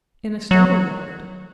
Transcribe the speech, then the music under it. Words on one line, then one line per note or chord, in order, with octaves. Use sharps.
"In a stable-yard."
F#3